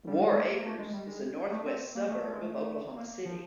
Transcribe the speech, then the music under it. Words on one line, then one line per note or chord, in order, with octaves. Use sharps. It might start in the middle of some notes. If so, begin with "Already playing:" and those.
Warr Acres is a northwest suburb of Oklahoma City.
G3
G#3
A3
A#3
A3
G#3
G3
G#3
A3
C4
A#3
A3
A3
G#3
A3
A#3
F3